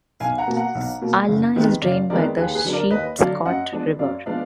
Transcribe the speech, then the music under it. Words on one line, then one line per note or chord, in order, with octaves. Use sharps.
Alna is drained by the Sheepscot River.
B1 F5 G#5
F#5 A#5
B2 A#3
F#5 A#5
B1
B2 A#3
F#1
F2 D#3 G#3 B3
F#1 D5 F5
F2 D#3 G#3 B3 A#4 D5
D#2 G#4 B4
G#4 B4
D3 F#3 D4
A#4 D5
D#2 B4 D#5
D3 F#3 D4 D5 F5
F#2 D#5 F#5
F3 G#3 B3 D4
F#2 D5 F5
F3 G#3 B3 D4 D5 F5